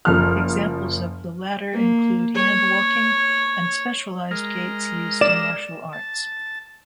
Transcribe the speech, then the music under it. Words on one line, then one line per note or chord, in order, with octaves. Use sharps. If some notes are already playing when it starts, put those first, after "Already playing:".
Examples of the latter include hand walking and specialized gaits used in martial arts.
F#1 F3 F6
A#3
C#5
G#3 A#4
D5 E7
A5